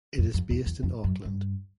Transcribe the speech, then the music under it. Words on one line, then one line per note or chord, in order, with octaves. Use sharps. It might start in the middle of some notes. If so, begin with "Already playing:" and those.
It is based in Auckland.
F2
F2
E2
E2
F2
F#2
G2